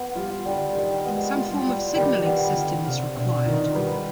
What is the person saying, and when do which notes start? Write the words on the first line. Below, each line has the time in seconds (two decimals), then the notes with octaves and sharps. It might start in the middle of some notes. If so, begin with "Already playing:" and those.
Some form of signalling system is required.
Already playing: B3
0.15 G3 F4
0.45 D3 G3
0.76 D#3 G3
1.05 G#3 B3
1.35 F4
1.51 G3
1.66 G3
1.95 D#3 G3
2.26 B3
2.41 D3
2.55 F4
2.85 C3 F5
3.15 B2 D4
3.45 D#3 F4
3.75 G3 B4